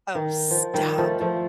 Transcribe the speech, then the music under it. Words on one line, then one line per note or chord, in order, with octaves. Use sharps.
Oh, stop!
D#3
F3
D#3 G3
F3 A3
F3 A3